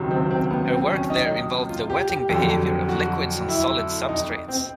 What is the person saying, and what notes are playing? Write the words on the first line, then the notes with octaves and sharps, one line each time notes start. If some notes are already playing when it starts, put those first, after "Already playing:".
Her work there involved the wetting behavior of liquids on solid substrates.
Already playing: C#2 C3 D#3 F#3
C4
C4
B3
C4
C#4
D#4
F4
G4
G4
F2 D3 F#3 G4
F#4
E4
D#4
C4